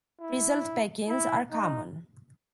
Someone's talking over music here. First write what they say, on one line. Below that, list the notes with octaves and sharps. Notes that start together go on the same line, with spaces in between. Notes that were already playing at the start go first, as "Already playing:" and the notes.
Frizzled Pekins are common.
E4
E4
D#4